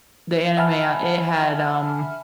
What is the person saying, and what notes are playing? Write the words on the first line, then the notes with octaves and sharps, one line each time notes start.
the anime, uh, it had, um
E5 F#5 G#5 A5 B5 F6